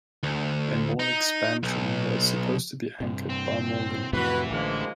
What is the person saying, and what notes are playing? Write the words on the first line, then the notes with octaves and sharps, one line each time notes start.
A mall expansion was supposed to be anchored by Morgan.
D2
D#4
B1
G2 C3
C4
F2 A2 C3 E3 F#4 B4
A1 D3 F3 G#3 A#3